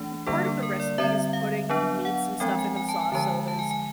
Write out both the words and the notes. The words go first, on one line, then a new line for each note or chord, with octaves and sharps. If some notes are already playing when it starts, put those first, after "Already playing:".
part of the recipe is putting the meats and stuff into the sauce, so there's,
Already playing: E3 A3 D4
D3 G3 A#3 D4 A4
A4
A#4
D5
D3 G3 C4 E5
F5
F#3 B3 D4
F#5
F3 G#3 C4 G5
G#5
G#5
A5
G#5
D3 F3 G#3 A5
G#5
A5
G#5
G#5